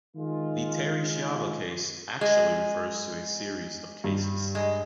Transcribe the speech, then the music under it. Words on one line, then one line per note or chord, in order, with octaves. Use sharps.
The "Terri Schiavo case" actually refers to a series of cases.
D#3 G#3 F4
G#3
G2
G#3